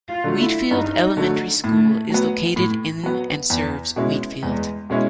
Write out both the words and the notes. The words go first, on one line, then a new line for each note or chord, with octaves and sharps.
Wheatfield Elementary School is located in and serves Wheatfield.
F4
D3 F#3 A3
E4
G2 D#4
D3 F#3 A3
A2 A3
F#3 B3
A2
F#3 B3
E2
B2 G#3 C#4 E4
E2 G#3
B2 G#3 C#4 E4